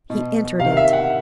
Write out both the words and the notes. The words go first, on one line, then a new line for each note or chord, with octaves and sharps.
He entered it.
B2
C3 D#3 F5
F5
E5
F#5